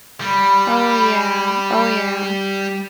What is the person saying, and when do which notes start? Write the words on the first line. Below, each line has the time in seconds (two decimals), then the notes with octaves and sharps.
Oh, yeah oh, yeah.
0.21 G3 B5